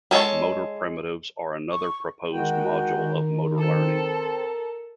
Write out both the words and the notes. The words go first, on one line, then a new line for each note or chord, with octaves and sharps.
Motor primitives are another proposed module of motor learning.
G3 G#3 A4 C#5 A5
C#6
D#3 G#3 F#4 A#4 G5
C4 A4